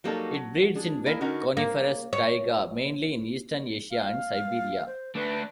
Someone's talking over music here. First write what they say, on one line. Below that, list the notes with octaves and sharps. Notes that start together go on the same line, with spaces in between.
It breeds in wet coniferous taiga, mainly in eastern Asia and Siberia.
F#3 G3 A#3 D#4 F#4 A4
F#3
D4 G#4
A#3 E4 A#4 D#5 G#5
D3 C#4 D#4 F#4 A#4
A#3
C#5
F5
C5
A3 D4 B4